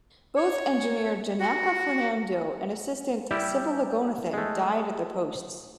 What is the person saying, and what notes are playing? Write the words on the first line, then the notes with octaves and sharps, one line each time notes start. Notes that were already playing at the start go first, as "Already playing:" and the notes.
Both engineer Janaka Fernando and assistant Sivaloganathan died at their posts.
C#5
F#4
G3 E4 G4
G#3 A3